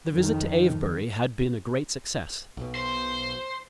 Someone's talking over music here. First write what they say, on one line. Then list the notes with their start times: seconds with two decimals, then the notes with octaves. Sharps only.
The visit to Avebury had been a great success.
0.12 F2 D#3
2.57 B1 B2
2.75 C5